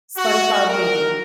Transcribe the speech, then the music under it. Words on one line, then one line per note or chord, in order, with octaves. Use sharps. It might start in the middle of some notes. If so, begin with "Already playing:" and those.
SpongeBob movie.
F#4
A#4